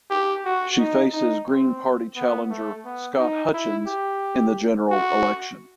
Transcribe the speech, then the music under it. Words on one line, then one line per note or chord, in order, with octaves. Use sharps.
She faces Green Party challenger Scott Hutchins in the general election.
G4
F#4
D#4
D#4
C4
B3
A3
B3
D#4
E4
G4
F#4